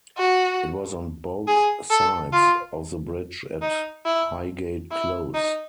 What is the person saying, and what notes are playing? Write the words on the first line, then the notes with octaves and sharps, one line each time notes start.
It was on both sides of the bridge at Highgate Close.
F#4
G#4
A4
F4
D#4
E4
E4
D#4